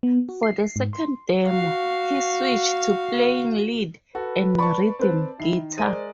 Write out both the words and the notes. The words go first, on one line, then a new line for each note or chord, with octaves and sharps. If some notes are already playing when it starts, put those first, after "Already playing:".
For the second demo, he switched to playing lead and rhythm guitar.
B3
F#4
C7
G#2
C6
F#4 F5
F#4 A4 B4
D5 A5 B5 C#6
C4 B4
D#3 E4 C7
G#3 A#4 C5 D5 D#7